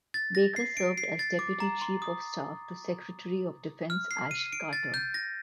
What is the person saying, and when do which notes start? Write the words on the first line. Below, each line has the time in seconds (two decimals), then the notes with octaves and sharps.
Baker served as deputy chief of staff to Secretary of Defense Ash Carter.
0.14 A6
0.35 A#6
0.56 C7
0.77 D7
0.98 C7
1.19 A6
1.39 D6
1.60 A#5
1.81 C6
2.02 D#6
3.90 F6
4.11 C7
4.31 D#7
4.53 D7
4.73 A6
4.94 G6
5.14 A#6